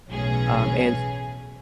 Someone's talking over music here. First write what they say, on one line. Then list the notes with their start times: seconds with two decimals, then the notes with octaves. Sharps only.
Um, and
0.10 B1 A2 E3 C#4 G#4